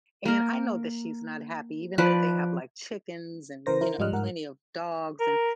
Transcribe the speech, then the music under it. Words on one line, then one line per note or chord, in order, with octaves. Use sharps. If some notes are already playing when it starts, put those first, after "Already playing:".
and I know that she's not happy even though they have, like, chickens, and, you know, plenty of dogs, and
A#3 A#4
F3 B4 D5 A5
C#3 E3 A#4 C5 A#6
E4 A#4 C5
G#2 F3 G3 D#5 F6 F#6
G#2 A#4 F#5
A#4